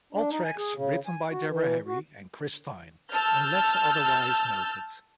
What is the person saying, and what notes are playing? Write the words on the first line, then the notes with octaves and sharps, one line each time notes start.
All tracks written by Deborah Harry and Chris Stein, unless otherwise noted.
D4
D#4
G#5
G#4
C#3
G#5
F#4
E3
F#4
A5 E6 F6 G6 A6